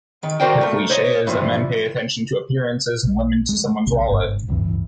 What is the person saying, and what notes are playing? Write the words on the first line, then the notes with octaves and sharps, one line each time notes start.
The cliche is that men pay attention to appearances and women to someone’s wallet.
D#3
F#4 A#4 C5 D5 G5
A3 A#3
C5 C#5 D#5
G2 E3 F3
B1
G#3
B1 C3 A#3
G1 G#2
D1 C#2 G2 E3